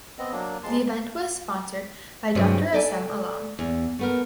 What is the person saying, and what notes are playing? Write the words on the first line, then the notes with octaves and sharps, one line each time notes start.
The event was sponsored by Dr Assem Allam.
B3 C4 D#5
F#3 A#3 D4
F2 G#3 A5 C6
G2 C3 F#3 C4 G#4
A4 D5 G#5
E2
A3 B3 A#4